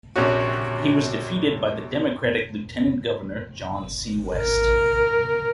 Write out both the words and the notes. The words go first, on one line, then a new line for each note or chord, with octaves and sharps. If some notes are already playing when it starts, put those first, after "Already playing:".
He was defeated by the Democratic lieutenant governor, John C. West.
A#1 C3 C#4 F#4
A#4